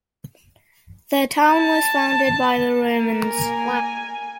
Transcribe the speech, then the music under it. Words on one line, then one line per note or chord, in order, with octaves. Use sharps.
The town was founded by the Romans.
A5
A#3 A#4
G#5